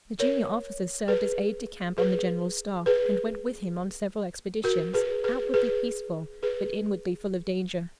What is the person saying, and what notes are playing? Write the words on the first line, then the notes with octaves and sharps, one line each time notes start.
The junior officer served as aide-de-camp on the general's staff, and went with him on several expeditions, outwardly peaceful, but inwardly full of danger.
A#4 C#5
G#4 B4
G#4 B4
G#4 B4
F#4 A#4
G#4 B4
G#4 B4
G#4 B4
G#4 B4